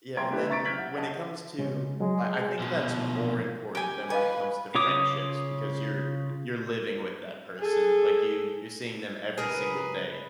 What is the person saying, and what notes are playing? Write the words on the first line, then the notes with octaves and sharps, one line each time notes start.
Yeah, and then when it comes to I I think that's more important than when it comes to friendships because you're you're living with that person. Like, you you're seeing them every single day.
E5 G5 A#5 C6 G#6 D7
A3 B3 C4 E4 G4 B4
E5 A#5 C#6 A6 B6 D7
F6 G6 G#6 B6 F#7
E5 F#5
D#5 F#5 A5
C#3 G#3 C#4
F#3 G#3
B2 F3
G4 G#5
G#4 B4 D#5 F5 G#5
C#3 F4 C#5 D6 D#6
G#4 A4
C#2 G#4 A#4 B4